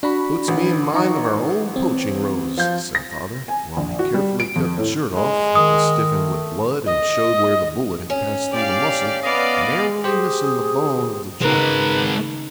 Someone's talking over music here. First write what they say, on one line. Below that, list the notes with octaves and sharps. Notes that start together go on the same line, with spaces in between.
'Puts me in mind of our old poaching rows,' said father, while he carefully cut the shirt off, that was stiffened with blood and showed where the bullet had passed through the muscle, narrowly missing the bone of the joint.
D4 F#4 B5
A1
D#4 A#5 C#6
C4
F3 F4 G6
A#6
G#5
A#1
F#4
G3
D7
F2
A2
G#3
D#3 D#6
A3
D#5
C#4
G4 D5 F5
B3 D5 D#5 F5
G4 G#4 C5
C#3 G#3 D#4 A#4 B4